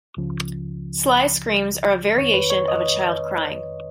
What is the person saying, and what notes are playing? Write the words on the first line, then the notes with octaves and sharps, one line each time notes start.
Sly's screams are a variation of a child crying.
C#2 C#3 F3
F2 D#3 C#5
B4
C#5
D#5